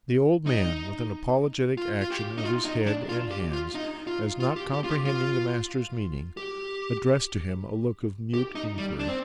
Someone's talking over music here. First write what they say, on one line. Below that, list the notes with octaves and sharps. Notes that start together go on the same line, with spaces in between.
The old man, with an apologetic action of his head and hands, as not comprehending the master's meaning, addressed to him a look of mute inquiry.
D#4
F4
F4
G4
D#4
F4
D#4
D4
F4
G4
F4
D#4
F4
F4
G4
G4
F4
G4
F4
G4
G4
D#4
G3
D4
C4